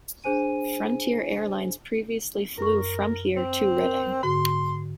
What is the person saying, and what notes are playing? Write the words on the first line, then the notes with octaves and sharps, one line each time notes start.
Frontier Airlines previously flew from here to Redding.
D4 G#4 C5 G#5 D#7
F#2 A#4 C#6
C4
A#4
G#2 D3 F#4 C6